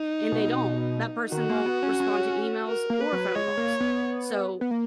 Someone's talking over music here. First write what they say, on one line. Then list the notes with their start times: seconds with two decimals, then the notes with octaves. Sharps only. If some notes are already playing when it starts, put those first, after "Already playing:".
and they don't, that person won't respond to emails or phone calls, so,
Already playing: D#4
0.32 B2
1.32 D#3 F#4
1.49 A#3
1.66 B3
1.83 C#4
2.00 C#4
2.68 A#4
2.90 A#3
3.01 B4
3.12 F#3
3.35 G#3 C#5
3.57 A#3
3.80 B3
4.61 B3
4.71 A#3